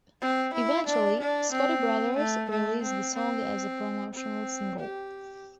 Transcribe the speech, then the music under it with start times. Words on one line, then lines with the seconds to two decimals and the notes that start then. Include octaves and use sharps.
Eventually, Scotti Brothers released the song as a promotional single.
0.21 C4
0.54 E4
0.87 D4
1.20 D4
1.52 C4
2.17 A3
2.50 A3
2.82 C4
3.15 C4
4.14 C4
4.79 G4